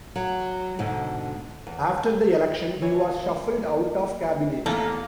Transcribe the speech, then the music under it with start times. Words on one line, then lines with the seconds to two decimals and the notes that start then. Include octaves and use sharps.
After the election he was shuffled out of cabinet.
0.16 F#3
0.79 G#2 B2 D3
1.67 E2
2.82 E3 C#5
3.58 A#3
4.66 A1 E2 A#3 A4